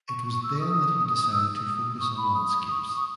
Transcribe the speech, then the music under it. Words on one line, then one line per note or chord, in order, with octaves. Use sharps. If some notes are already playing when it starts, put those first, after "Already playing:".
It was then that he decided to focus on landscapes.
C#6
C#6
E6
C#6
D#6
E6
D#6
C#6
B5
D#6
D#6
C#6
D#6
C#6